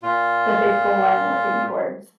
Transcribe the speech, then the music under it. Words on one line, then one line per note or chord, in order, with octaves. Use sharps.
the big goal I'm working towards.
A#2 F4